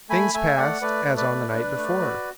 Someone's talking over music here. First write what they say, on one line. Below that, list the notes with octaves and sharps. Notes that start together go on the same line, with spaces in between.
Things passed as on the night before.
A3 G#5 B5
A3 E5 G#5
A3 D5 F#5
A3 B4 D5
A3
B4 D5
A3
D4
A3
F#4